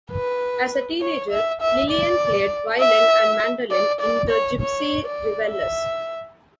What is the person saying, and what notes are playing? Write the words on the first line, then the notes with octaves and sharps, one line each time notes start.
As a teenager Lilian played violin and mandolin in "The Gypsy Revellers".
B4
C#5
E5
E5
D5
E5
D5
D5
C#5
C#5
D5
E5